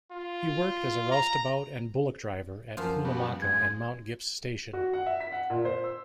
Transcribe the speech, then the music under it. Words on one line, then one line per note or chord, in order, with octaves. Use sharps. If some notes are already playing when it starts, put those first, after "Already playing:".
He worked as a roustabout and bullock-driver at Poolamacca and Mount Gipps Station.
F4
A#5
F#2 F3 F4
G3 B3 F#4
G#3 G#6
F#4
F#5
E5
B6
F#5
A#2
C5
E6